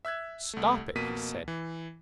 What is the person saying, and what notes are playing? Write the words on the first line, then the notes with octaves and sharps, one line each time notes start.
"Stop it," he said.
E5 E6 F#6 G#6
C2 A3
F2 B2 A#3 B6 D#7
E3